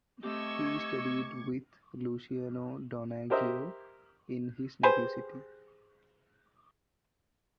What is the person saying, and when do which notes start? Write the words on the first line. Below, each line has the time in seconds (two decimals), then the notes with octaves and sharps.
He studied with Luciano Donaggio in his native city.
0.23 A3 C4 G4 D#5 C#6 D6 E6 G#6
3.30 G4 A#4 C5 D#5 E5
4.83 G4 G#4 B4 C5